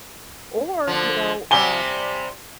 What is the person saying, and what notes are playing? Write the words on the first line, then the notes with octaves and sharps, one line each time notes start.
or you know, uh,
D3 F3
C3 G3 G#5 G7